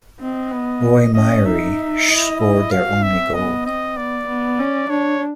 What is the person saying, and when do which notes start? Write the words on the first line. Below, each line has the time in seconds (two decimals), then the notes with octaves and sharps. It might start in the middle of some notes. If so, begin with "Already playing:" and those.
Roy Myrie scored their only goal.
0.20 C4 D#5
0.51 B3
1.14 C#4 D#5
1.45 D#4 E5
2.08 E4 D#5
2.40 D#5
2.71 F#4 F5
3.02 C4 E5
3.34 B3 D#5
3.66 C4 D#5
3.97 B3 D5
4.28 B3
4.59 C#4
4.90 D4 C#5